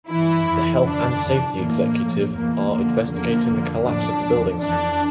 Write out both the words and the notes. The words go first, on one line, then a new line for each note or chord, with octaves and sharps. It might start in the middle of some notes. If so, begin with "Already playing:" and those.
The Health and Safety Executive are investigating the collapse of the buildings.
G2 E3 E4
F2 E3
G2 D3 F3 D4
F2 E3
A2 E3 A#3
A2 F3
E2 E3 A#3
F2 D3 F3 A#3
E2 D3 F3 A#3
F2 D3 F3
A2 F3 D4
E2 D3 F3
F2 E3 D4